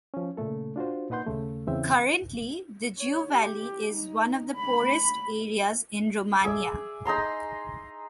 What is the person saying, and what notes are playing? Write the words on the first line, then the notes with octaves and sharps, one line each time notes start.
Currently, the Jiu Valley is one of the poorest areas in Romania.
F3 C#4
A#2 C#3 A3 A4
D4 F4 F#4 C5
A#2 D#4 B4 F#5 C6 G6
D#2 C#3 A3
E2 C#3 E3 C4 E5 G5
C#5
G4
D#4
B5
G#4 D5 E5
D#4 G#4 A#5 C6